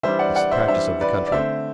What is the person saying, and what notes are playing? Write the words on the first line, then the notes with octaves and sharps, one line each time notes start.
It's the practice of the country.
E3 G3 D4 C5 E5
D5 F#5
D5 F#5
C5 E5
E3 G3 D4 C5 E5
B4 D5
D5
D3 A3 C4 C5 E5